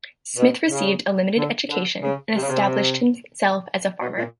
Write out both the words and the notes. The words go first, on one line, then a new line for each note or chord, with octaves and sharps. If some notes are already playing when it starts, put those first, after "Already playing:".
Smith received a limited education, and established himself as a farmer.
B2
C#3
D3
D3
C#3
C3
C#3
C3
B2
A#2